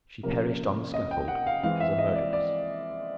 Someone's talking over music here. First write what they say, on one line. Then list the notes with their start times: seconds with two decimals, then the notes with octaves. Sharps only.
She perished on the scaffold as a murderess!
0.23 C3 F3 A#3 C#4 A#4
0.94 D#5
1.11 G5
1.28 F#5
1.47 F5
1.63 E3 G#3 C4 F5
1.80 E5
1.99 D#5
2.15 D5
2.33 D5